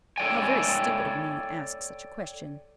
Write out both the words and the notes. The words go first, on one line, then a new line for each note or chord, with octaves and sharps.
How very stupid of me to ask such a question.
A4 C#5 D5 G5 G#5